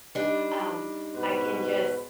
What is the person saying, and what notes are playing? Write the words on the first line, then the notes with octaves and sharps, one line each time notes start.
um, I can just
G3 D4 D#4
G#2 B2 B4